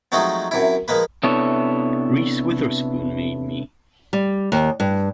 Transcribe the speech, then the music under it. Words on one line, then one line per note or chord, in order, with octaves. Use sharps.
Reese Witherspoon made me.
F3 F#3 G#3 A3 C4 D#4
F#2 C3 E4
F3 G#3 A#3 B4
C3 B3 D4 E4 A4 C#5
G3
D#2
G2